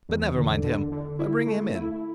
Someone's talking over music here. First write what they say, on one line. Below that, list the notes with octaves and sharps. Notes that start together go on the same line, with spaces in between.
But never mind him, why bring him in?
E2
D3
D3
D3
E4
A3
E4